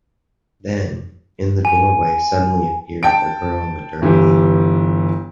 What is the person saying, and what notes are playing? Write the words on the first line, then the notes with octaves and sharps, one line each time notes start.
Then, in the doorway suddenly appeared a girl in a dirty apron.
G#5
G5 A5 D7
G1 E3 G4